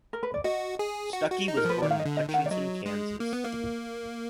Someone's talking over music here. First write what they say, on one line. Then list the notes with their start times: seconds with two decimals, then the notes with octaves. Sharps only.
Stucky was born in Hutchinson, Kansas.
0.13 A#4
0.23 B4
0.34 D5
0.44 F#4 D#5
0.79 G#4
1.13 F#4
1.30 F#4
1.48 D#4
1.57 A#4
1.65 F3 B4
1.82 D#3 D5
1.91 F5
1.99 D#5
2.05 D3
2.17 D#5
2.29 D#3
2.34 F#5
2.46 D5
2.51 F#3 D#5
2.86 G#3
3.20 A#3
3.33 B3
3.44 A#3